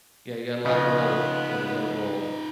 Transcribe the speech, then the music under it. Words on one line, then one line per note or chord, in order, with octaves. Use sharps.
Yeah, you gotta let it roll. You gotta let it roll.
C#3 F3 B3 D#4 F4 D#5 G#5